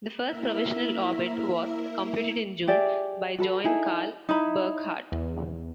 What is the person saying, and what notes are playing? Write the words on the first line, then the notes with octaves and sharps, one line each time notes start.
The first provisional orbit was computed in June by Johann Karl Burckhardt.
A#3 E4 A#4 E5
G4 G#4 D5 E5
F#4 A4 B4
D#4 E4 G#4 A4
D#4 E4 A#5 B5
E2